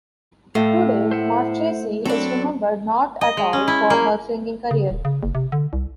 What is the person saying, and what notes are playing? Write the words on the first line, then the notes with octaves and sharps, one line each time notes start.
Today, Marchesi is remembered not at all for her singing career.
A2 A3 F5
C5 E5 F#5
F#3 C4 D4 A4 B5
D#5
G#3
C#4
E4
A#3
C#3
D#1
C#3
F#1
C3
D3
C2